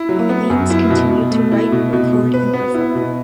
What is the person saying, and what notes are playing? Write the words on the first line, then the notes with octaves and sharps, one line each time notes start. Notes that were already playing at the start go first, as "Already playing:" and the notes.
Orleans continued to write, record and perform.
Already playing: E4
F#3
B3
F#2
E4
B2
B2
A3
E4
B2
B2
B2
B4
B3
E4
B2